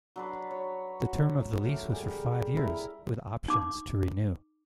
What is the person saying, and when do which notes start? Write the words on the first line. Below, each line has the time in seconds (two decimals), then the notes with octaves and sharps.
The term of the lease was for five years, with options to renew.
0.16 F#3 D4 B4
0.51 C#5
1.00 F#4
1.64 A3 A#4 D6
1.89 G3 G#4
2.57 E4 A#4
3.48 D#4 D6